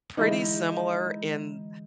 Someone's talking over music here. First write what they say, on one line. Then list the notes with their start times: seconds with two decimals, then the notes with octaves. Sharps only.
pretty similar in
0.17 D3 E3 G#3 D#4 E4 D#5